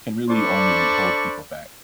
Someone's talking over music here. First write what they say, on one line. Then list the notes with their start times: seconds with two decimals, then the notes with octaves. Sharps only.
can really only hold people back.
0.30 D4 A4 C5 D5 B5 C#6